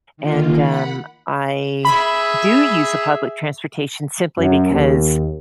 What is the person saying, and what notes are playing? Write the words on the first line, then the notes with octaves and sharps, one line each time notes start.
and, um, I do use a public transportation, simply because
D#3 A#3 F4
F#5 B5
G#4 E5 B5
F#2
D#2